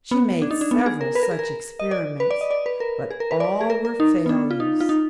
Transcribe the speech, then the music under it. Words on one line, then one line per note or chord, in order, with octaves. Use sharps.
She made several such experiments, but all were failures.
B3
D4
D#4
D4
B3
G#4
A#4
B4
A#4
G#4
A#4
D#5
D5
B4
D5
D#5
D5
B4
A#4
G#4
A#4
B4
D5
G#4
A#4
A#4
D#4
B3
D4
F4
D#4
F4
D#4